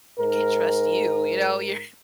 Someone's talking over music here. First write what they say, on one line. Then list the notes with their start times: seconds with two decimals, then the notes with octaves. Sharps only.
can't trust you." you know? You're
0.19 G#2 A#4